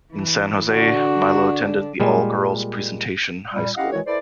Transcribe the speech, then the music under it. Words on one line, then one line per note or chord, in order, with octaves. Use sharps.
In San Jose, Milo attended the all-girls Presentation High School.
E3
D3 D4 F#4
A#2 G3 G#3
A#2 G3
C#4 E4 G4 D#5 F5 F#5
D#3 E3 G#3 E4 F#4 C#5
E4 A4 B4 C5 D5